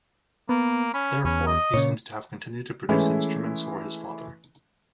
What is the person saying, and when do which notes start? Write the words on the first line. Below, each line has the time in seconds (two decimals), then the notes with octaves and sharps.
Therefore, he seems to have continued to produce instruments for his father.
0.49 A#3 B3
0.94 C#4 B5
1.25 E2 C#4
1.47 D#5 D#6
1.74 A#2 C#3 C#5
2.89 E3 G#3 A3 C#4 E4 B4